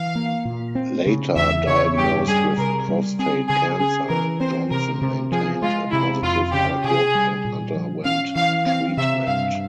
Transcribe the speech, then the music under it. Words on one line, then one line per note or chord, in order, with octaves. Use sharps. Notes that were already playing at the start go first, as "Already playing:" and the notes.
Later diagnosed with prostate cancer, Johnson maintained a positive outlook and underwent treatment.
Already playing: E3 F5
A#3
A#2
C4
C#3
E2 E5
C#3 C#5
G2 G4
G3 G#4
C3 A#4
G3
C4 G#4
C#3 G#4
C#4 G#4
E3 A#4
C4 C5
C3 A#4
C3
F3 G#4
G#3 F4
C3 E4
F2 F4
C#3 G4
C3 G#4
G3
A#2
F3
C#4 F5
E3 F5
C4 F5
C3 E5
G2 F5